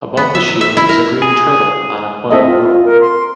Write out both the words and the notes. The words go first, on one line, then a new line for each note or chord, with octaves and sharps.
Above the shield is a green turtle on a coil of rope.
B3
E5
F#3
E5
E4
A#4
G#4
C4 A4 D#5 E5
F4
A#4
C6